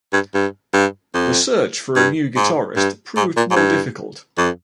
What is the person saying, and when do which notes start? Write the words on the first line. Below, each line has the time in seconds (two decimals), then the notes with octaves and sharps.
The search for a new guitarist proved more difficult.
0.13 G2
0.34 G2
0.74 G2
1.14 F2
1.96 G2
2.36 G#2
2.76 G2
3.16 G#2
3.37 A#2
3.51 G#2
3.56 G2
4.37 F2